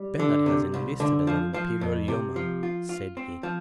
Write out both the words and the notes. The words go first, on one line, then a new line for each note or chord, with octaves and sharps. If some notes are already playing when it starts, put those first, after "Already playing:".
"Bernard has enlisted as an Imperial Yeoman," said he.
Already playing: G3
D3
C3
C2
D3
F3
F3
F2
C3
F3
F4
F4
C4
F3